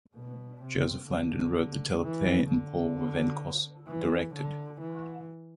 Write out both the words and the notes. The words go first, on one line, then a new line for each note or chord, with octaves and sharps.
Joseph Landon wrote the teleplay and Paul Wendkos directed.
B2
C3
D3
E3
D3
E3
D3
E3